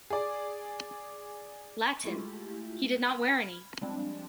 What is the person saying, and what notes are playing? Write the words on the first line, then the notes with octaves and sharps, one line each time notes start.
Latin!... he did not wear any!
G#4 D5
G#3 A3 E4 F4 G4
B5 F6 G#6
F3 G3 G#3 C4 D4